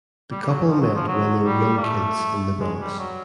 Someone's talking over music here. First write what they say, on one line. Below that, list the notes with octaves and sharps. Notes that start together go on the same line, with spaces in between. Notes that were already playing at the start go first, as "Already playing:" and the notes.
The couple met when they were young kids in the Bronx.
G3
G3
F#3
F3
F#3
F3
F#3
G3
A#3
A3
G#3
G3
F#3